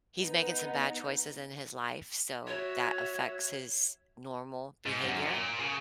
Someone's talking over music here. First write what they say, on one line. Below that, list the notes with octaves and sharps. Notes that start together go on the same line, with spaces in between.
he's making some bad choices in his life, so, that affects his normal behavior
B3 D#4
F#4 C#5 E5
G#2
F#2
A#2
C#3